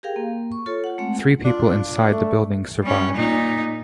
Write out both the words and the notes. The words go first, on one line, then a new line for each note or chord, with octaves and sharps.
Three people inside the building survived.
G4 G#4 A#4 F5 G5
A#3
C#6
F4 A4 C#5
F4 F#5
G#3 A3 C4 F#5
D4 F4
A3
G3 C#4
A#2 D#4